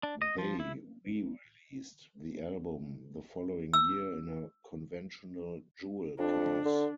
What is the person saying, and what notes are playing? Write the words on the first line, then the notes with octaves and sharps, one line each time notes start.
They re-released the album the following year in a conventional jewel case.
D4
D#5
F3
E4
E6
F2 D4
D3